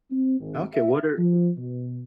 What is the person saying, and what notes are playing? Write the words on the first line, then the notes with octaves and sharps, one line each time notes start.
Okay, what are
C4
G#1
E5
F3
B2